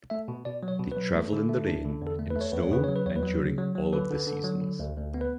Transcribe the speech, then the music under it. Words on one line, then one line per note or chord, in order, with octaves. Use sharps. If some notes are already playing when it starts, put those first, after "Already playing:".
They travel in the rain, in snow, and during all of the seasons.
A3 E5
B2
B2 D5
F#3
C#5
B2
B4
F#3
A3
D3
A3
D4
D3
E2 A4
A3
B4
A3 C#5
E2 B4
C#5
C#3 B4
F#3 C#5
B4
E2 C#5
B4
F#3
C#3
F#3
F#3
D3 B4
D3
D3
F#3
D3
D2
D2
B3
B4